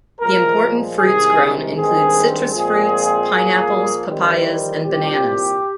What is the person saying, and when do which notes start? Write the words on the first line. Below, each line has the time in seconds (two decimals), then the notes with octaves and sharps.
The important fruits grown include citrus fruits, pineapples, papayas, and bananas.
0.21 A#2 F3 G#3 A#4
0.98 C2 C3 D#3 G#3 G#4
1.76 G2 D#3 G#3 C4 G#4
2.52 A#2 F3 G#3 C4 G#4
3.30 A#2 F3 A#3
4.07 F2 D#3 G3 C4
4.84 C2 A#2 G3 C4 G4